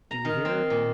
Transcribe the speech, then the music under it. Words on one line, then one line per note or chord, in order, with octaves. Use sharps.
Do you hear?
A#5
D#3
C4
A#2